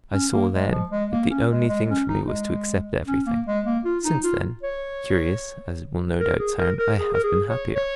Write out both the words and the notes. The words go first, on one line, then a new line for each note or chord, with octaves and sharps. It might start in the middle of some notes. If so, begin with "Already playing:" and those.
I saw then that the only thing for me was to accept everything. Since then--curious as it will no doubt sound--I have been happier.
C#4
A#3
G#3
F3
G#3
A#3
C#4
G#3
G#3
C#4
D#4
G#3
C#4
A#3
G#3
A#3
F4
D#4
F4
C#5
A#4
G#4
A#4
A#4
G#4
A#4
G#4
C#5
C#5